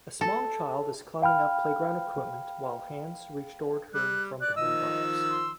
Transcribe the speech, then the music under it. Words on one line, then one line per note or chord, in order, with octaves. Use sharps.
A small child is climbing up playground equipment while hands reach toward her from behind bars.
A4
F5 G5 B5 F6
G3 F#6
D5 F#6
D#3 F3 D#5 E6
C6